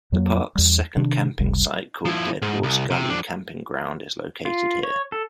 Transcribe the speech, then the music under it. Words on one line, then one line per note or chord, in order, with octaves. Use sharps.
The park's second camping site called Dead Horse Gully camping ground is located here.
F2 F#3 G#3 A#3
E2 G3
C3 D#3 D4
F#1 C#2 C3 G3
F3 E4
G#2
C2
C3
F2 D4
F4
C#5
A4